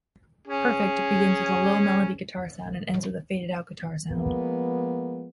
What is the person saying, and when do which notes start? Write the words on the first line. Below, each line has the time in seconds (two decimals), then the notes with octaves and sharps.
"Perfect" begins with a low-melody guitar-sound and ends with a faded out guitar-sound.
0.47 C#4 G#4
4.09 F3 G#3 A#3 B3